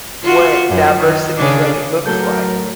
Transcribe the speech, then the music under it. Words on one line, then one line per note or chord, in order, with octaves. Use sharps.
what diversity really looks like,
F4 F#4
F#2
D#3
C#3 D4
A2 F#3 A4 A#4 G6